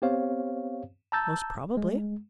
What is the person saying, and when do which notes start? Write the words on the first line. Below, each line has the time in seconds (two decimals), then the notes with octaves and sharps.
"Most probably."
0.02 B3 C4 G4 C5 C#5 F5
1.12 A5 A#5 E6 G6 A6
1.77 G#3